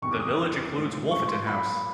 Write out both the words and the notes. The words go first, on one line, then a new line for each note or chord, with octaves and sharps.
The village includes Wolfeton House.
E2 C3 D#3 C#6
D6
D#6
D6
A2 F3 G#3
C#6
C6
A#2 F#3 B5